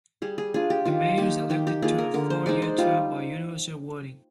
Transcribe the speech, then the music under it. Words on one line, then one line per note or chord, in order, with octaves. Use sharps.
The mayor is elected to a four-year term by universal voting.
G3 G#4
G#4
D4 F4 G#4
G4
D#3 F4
A#3 D#4 G4
D#3 G4
G4
A#3 F4 G#4
A#4
D3 A#4
C5
G#3 D#4 D5
C5
G3 F4